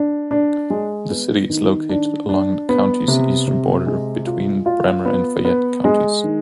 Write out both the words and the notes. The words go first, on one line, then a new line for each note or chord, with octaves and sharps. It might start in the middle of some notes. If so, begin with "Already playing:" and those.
The city is located along the county's eastern border, between Bremer and Fayette counties.
Already playing: D4
D4
G#3
B3
D#3
D4
D4
B3
C3
C3
G#3
F4
F4
B3
B3
G#3
D#3